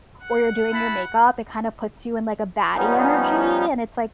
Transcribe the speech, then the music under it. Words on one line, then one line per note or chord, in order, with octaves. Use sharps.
or you're doing your makeup, it kinda puts you in like a baddie energy. And it's, like
F#5
E4 A5 B5
F3 G3 B3 C#4 D#4